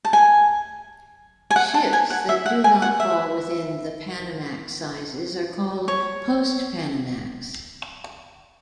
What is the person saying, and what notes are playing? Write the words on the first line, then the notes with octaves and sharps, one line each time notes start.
Ships that do not fall within the Panamax-sizes are called "post-Panamax".
A5
G#5
G#5
F#5
A5
G#5
F#5
E5
F#5
G#5
F#5
E5
C#5